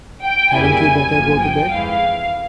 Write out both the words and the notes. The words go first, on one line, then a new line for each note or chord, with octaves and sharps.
Hadn't you better go to bed?
G5
F2 C#3 G3 A#3 E4 G#5
G1 G2 F3 A#3
G5
F2 E3 G#3 E4 F5